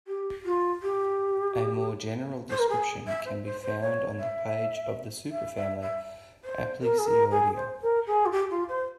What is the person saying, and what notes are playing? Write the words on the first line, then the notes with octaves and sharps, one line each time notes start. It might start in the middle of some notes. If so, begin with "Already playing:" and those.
A more general description can be found on the page of the superfamily Aplysioidea.
G4
F4
G4
C5
A#4
G#4
E5
C5
C5
C5
C#5
E5
E5
E5
E5
C5
A#4
G#4
A#4
G#4
C5
A#4
G#4
F4
G4
F4
C5